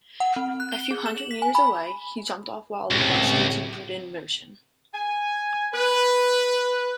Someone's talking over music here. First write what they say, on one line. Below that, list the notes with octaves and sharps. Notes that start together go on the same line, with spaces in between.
A few hundred metres away, he jumped off while the bus continued in motion.
F#5
C4
F#6
G7
G#4
E7
F#7
B6
G#5
B5
C#2 A2 C3
G#5
B4